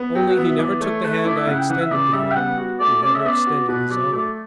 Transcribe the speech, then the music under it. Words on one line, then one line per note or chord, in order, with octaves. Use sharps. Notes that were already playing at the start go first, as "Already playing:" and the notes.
Only, he never took the hand I extended to him. He never extended his own.
Already playing: B3
F#3 G5
F#5
B3
E5
E3 D5
A3 C#5
A3 B4
C#5
E4 D5
E5
C#3 F#5
G5
E3 F#5
E5
C#3 D5
G3 E5
G5
B3 F#5
F#4
A3 D5
C#4 D5
E5
B3 D5
F#4
B2 B4
F#3 D5
A3 D5